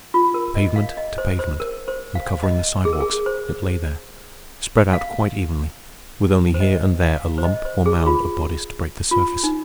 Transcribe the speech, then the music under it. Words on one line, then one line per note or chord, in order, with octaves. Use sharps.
From pavement to pavement, and covering the sidewalks, it lay there, spread out quite evenly, with only here and there a lump or mound of bodies to break the surface.
F4
A#4
D#5
F5
D#5
C5
C5
A#4
C5
F5
D#5
G#4
A#4
G#4
C5
F5
C5
D#5
F5
C5
D#5
C5
G#4
F4
F4
D#4